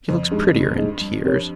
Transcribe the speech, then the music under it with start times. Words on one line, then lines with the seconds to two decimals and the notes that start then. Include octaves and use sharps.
She looks prettier in tears.'
0.09 F2 C#3
0.31 G2 G#3 D#4 G#4 D#5
0.54 G2 C#3
0.78 G#3 D#4 G#4 D#5
1.01 G3
1.24 C4 G4 A#4 C#5